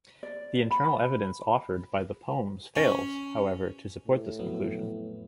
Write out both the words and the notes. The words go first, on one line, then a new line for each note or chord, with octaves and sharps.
The internal evidence offered by the poems fails, however, to support this conclusion.
D5
B5
C#4
A2
F2 F#3 B3